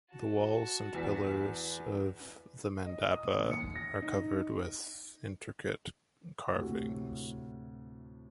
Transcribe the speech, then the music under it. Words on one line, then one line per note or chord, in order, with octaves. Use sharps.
The walls and pillars of the mandapa are covered with intricate carvings.
F#4 A5
E2 B6
D#5
D#6
D#2
C#7
A#6
D#4
D2 A2 C3